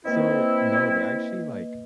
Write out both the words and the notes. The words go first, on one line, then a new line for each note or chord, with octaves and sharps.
so No, they actually, like
A#3 C4 E4 B4 D#5